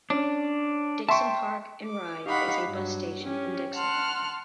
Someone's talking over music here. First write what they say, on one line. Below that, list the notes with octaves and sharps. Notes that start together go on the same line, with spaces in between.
Dixon Park and Ride is a bus station in Dixon.
C#4 D4
E5 G5 A5 C6 C#6
D6
D#4 G4 F5 F#5 B5 C#6
G2 F#3
C#4 G4
F#5 A5 C6 F6 F#6